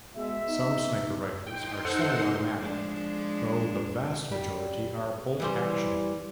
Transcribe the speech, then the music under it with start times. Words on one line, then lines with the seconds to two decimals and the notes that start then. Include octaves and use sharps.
Some sniper rifles are semi-automatic, though the vast majority are bolt-action.
0.16 B2 G#3 E5
0.49 B3 D#4
1.47 D#4 G5 C6
1.85 A4 C5 F#5
2.60 F3 G#3 D4
4.32 G3
5.40 E3 G3 C5